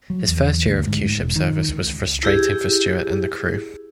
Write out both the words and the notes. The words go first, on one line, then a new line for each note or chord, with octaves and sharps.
His first year of Q-ship service was frustrating for Stuart and the crew.
F#3
E2
D2
G#2
E1
D#3
C#2
E4 G4 G#4